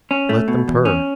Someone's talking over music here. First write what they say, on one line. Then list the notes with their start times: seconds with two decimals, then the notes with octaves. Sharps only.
Let them purr.
0.11 C#4
0.29 A3
0.48 B2
0.68 E2
0.85 C#4